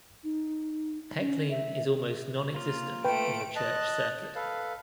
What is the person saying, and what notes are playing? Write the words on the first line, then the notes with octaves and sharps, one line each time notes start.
Heckling is almost nonexistent in the church circuit.
D#4
C#4
E5
G#4
A#3 F4
A3 B4 G5 D7
D#5 A5 F#6
A4 B4 F5